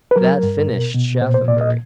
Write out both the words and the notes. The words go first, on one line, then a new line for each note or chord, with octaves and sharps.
That finished Shaphambury.
B4
F#3 A#4
G2
B2
B2
A#2 C5
C5
A#2 D5
D#5